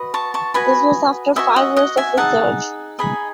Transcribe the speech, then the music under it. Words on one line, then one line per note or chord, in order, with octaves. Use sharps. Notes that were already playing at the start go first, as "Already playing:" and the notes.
This was after five years of research.
Already playing: F#4 B4 D#5
A5 C#6
A5 C#6
F#4 B4 D#5 G#5 B5
F#4 B4 D#5 E5 G#5
D#5 F#5
D#5 F#5
E5 G#5
D#4 G#4 D#5 F#5 A5
D#4 G#4 D#5 G#5 B5